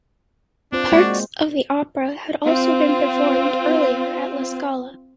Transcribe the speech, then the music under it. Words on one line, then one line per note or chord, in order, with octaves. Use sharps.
Parts of the opera had also been performed earlier at La Scala.
C4 D4 F4 C5
G#3 A#3 F#4 D5
C4 F4